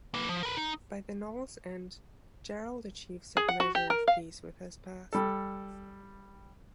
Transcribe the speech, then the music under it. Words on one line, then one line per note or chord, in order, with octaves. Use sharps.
By the novel's end, Gerald achieves a measure of peace with his past.
A#3 B4
F3
A#4 B4
D#4
G#4
F#5
F#4
G4
A#4
F5
G3 A4